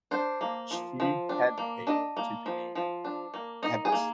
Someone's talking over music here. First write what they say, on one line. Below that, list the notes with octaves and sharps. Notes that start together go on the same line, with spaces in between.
She had paid to be named abbess.
D4 C5
A#3
F3
F3
D4
A#3
D4 D#5
A#3
F3
F3
D4
A#3
D#4 D#5
G#4
A#3